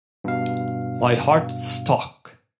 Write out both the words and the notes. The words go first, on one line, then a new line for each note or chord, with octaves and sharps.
My heart stuck.
G2 B2 F5